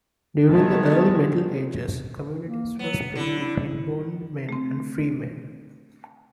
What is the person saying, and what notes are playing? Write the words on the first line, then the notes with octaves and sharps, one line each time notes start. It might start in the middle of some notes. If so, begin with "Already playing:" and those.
During the Early Middle Ages communities were split between bondmen and freemen.
D#3 G#3 B3 C#5 E5 A5
A#3
F#3 B3
D3 E4
E4
A3 C4